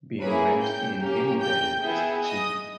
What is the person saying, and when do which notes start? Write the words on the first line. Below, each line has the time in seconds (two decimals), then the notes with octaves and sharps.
Being ranked in any band is an achievement.
0.21 A#3 C#4 E4 G#4 B4 B5
0.61 G5 G6
1.02 A#3 C#4 G4
1.43 G5 G6
1.84 B3 E4 G#4
2.26 D#5 D#6